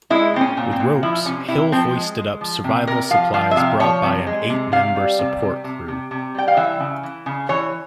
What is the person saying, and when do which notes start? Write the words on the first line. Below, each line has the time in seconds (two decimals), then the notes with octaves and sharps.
With ropes, Hill hoisted up survival supplies brought by an eight-member support crew.
0.10 G#3 E4
0.34 A#2 C4
0.41 C#4
0.57 A#2
0.72 C4
0.80 A#2
1.03 F3 E4
1.26 C3 C#4
1.48 C3 E4
1.72 F3 C4
1.95 G#3
2.18 G#3
2.41 F3
2.64 C3
2.87 C3 A#4
3.10 F3 F5
3.34 F3 F5
3.51 E5
3.57 C3 F5
3.80 F3 C#5
4.03 C3
4.27 G#3
4.49 C3
4.72 C3 F5
4.96 G3
5.19 C3
5.42 C3
5.64 C3
5.88 C3
6.11 C3
6.35 G3 G5
6.48 F5
6.57 E3 E5
6.80 C#3
7.03 E3
7.26 C#3
7.49 E3 C#5